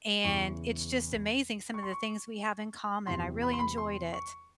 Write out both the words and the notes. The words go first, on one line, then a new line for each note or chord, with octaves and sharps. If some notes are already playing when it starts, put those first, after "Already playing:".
and it's just amazing some of the things we have in common. I really enjoyed it.
E2 C#3 E3 C#6
C#6
C6
C#6
E2 C3 E3 C6
B5
C6
B5
C6
C#6